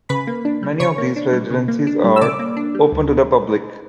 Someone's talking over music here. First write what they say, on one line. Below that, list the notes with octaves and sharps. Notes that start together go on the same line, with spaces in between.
Many of these residences are open to the public.
C#3 B4 B5
A#3
D4
G3
C#3 C#5 C#6
A#3
D4
G3
C#3
A#3
D4
G3
E6
C#3 D5 D6
A#3
D4
G3
D2